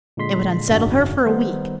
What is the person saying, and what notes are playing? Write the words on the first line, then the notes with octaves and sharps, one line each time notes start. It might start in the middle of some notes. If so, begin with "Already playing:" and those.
It would unsettle her for a week.
A#2 D3 G#3 C6 B6
G#1 F#2 C#3 D4 D#4 F#4
D#3 G3 B3 D#4 C5